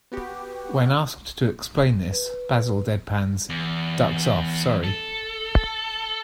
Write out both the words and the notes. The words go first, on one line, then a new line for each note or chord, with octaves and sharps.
When asked to explain this, Basil deadpans, "Duck's off, sorry".
B3 F#4 G4
B4
E2
A4